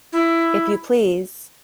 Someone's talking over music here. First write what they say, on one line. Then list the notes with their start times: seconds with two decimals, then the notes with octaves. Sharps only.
If you please.
0.12 E4